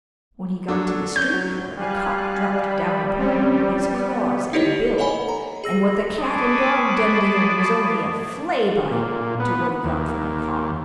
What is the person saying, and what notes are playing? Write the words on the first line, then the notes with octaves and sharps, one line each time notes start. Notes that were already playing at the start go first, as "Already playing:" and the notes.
When he got to the street door, the cock dropped down upon him with his claws and bill, and what the cat and dog done to him was only a flay-bite to what he got from the cock.
F#3 D4 A4
C#4 G6
F#3
G3 F5 G#5 F#6
B5
C4 C#4 G4
B3
D#4 E4 G4 B4 C#5 D#5
A4 C#5 D#5 F#5 G#5 B5
A#5
G#4 E6 A#6
F#4 G#4 A5 B5 D6 D#6
A#2
B3
D#2